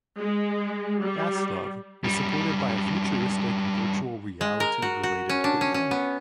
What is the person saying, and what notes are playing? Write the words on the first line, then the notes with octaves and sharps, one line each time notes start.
"Fastlove" was supported by a futuristic virtual reality-related video.
G#3
G3
F#2 G3
G#3
A#4
F#4
F#4
C#4
D4
C#4
C#4
B3